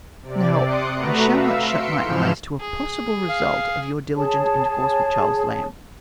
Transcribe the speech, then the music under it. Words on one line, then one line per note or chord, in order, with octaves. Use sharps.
Now, I shall not shut my eyes to a possible result of your diligent intercourse with Charles Lamb.
C3 D5
C6 D6 D#6 F#6 C#7
A3 F#4 B4 A#5
E5 F5 E6
C6 B6 C#7 D7
G#2 E3 F3 F6 G6 E7
G#4
F5
G#4 C#5 A5